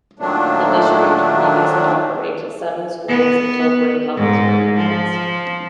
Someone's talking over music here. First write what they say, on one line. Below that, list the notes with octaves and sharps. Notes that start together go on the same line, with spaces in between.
The district previously operated seven schools until grade levels were condensed.
A#2 D#3 F#3 A3 D4
B3
G#2
F3